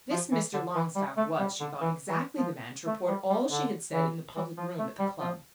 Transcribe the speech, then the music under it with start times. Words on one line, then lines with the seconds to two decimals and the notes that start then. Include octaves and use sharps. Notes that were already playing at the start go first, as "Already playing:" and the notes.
This Mr. Longstaff was, she thought, exactly the man to report all she had said in the public room at the club.
0.10 F3
0.31 E3
0.53 D3
0.75 E3
0.95 G3
1.17 A3
1.39 G3
1.60 D3
1.81 E3
2.09 E3
2.37 F3
2.86 A3
3.08 G3
3.29 G3
3.50 D3
3.92 E3
4.35 E3
4.57 F3
4.78 A3
4.99 G3
5.20 F3